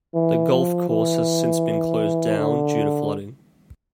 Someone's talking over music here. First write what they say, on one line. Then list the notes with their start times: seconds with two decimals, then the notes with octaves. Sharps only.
The golf course has since been closed down, due to flooding.
0.15 E3
0.52 F3
0.89 E3
2.38 D3